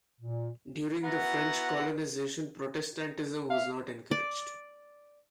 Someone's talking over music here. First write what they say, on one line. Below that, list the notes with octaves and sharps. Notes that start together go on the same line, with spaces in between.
During the French colonization, Protestantism was not encouraged.
A#2
B3 E4 F#4 F#5 A#5
E5 F5
D5